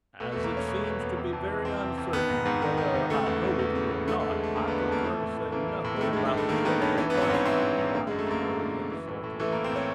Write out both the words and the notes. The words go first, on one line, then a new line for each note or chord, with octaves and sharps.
"As it seems to be very uncertain whether I go with you or not, I prefer to say nothing about the trip for the present," replied the Floridian, sulkily.
B2 A3
A3
E2
A#3
E2
C#4
B2
B2
E2
C3
F2
E3
F2 C4
C3
F2
D#3 B3
G#2
G#2
D#3
D#3
G#2
C#3 A3
E2
E3
E2
C#3
E2
D3 A3
A3
F2
G#3
F2 A3
D3 A#3
B3
D3
B3
F2 A#3
E3 A3
A2
A2
E3 A#3
E3
A2
G#3
D#3 A3
G#3
G2
G#3
G2 A3
D#3 A#3
D#3 B3
G2 C#4
E3 C#4
B3
G#2 C#4
C4
G#2 C#4
E3 C4
E3
G#2
D3 A#3
G#3
F#2
A3
F#2 A#3
D3
D3
F#2
E3
A2
A2
E3 A3
A#3
E3
C4
A2 C#4